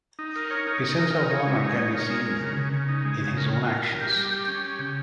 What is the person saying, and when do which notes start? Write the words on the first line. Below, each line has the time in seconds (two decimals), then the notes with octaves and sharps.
His sense of honor can be seen in his own actions.
0.19 D#4
0.36 A#4
0.51 C#5
0.67 D#4
0.83 D#4
0.98 A#4
1.15 D#4
1.31 C#5
1.47 G#3
1.63 D#4
1.78 C#5
1.94 A#4
2.09 G#3
2.26 A#4
2.42 C#3
2.57 C#3
2.73 C#3
2.89 D#4
3.05 G#3
3.20 C#3
3.37 A#4
3.53 A#4
3.68 A#4
3.85 A#4
4.01 G4
4.16 G3
4.32 G4
4.48 C#4
4.64 G4
4.79 C#3